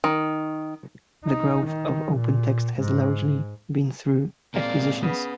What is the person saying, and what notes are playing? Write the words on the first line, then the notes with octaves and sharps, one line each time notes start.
The growth of OpenText has largely been through acquisitions.
D#3
D#4
D#3
A#2
G#2
A#2 G#3 A#3 C4 D5 F5
C#3 B3